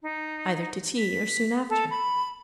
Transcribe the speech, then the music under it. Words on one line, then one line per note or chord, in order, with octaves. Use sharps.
'Either to tea or soon after.
D#4
B6
A4
B5